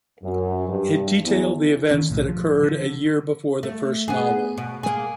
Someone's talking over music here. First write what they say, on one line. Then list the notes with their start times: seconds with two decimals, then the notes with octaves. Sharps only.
It detailed the events that occurred a year before the first novel.
0.23 F#2
0.68 G2
1.24 E2
1.91 D#3 C#4
2.10 B1 A2
2.29 F3
2.63 D3
3.63 A3
4.08 B3 G#4
4.58 B2
4.83 A#3 G#4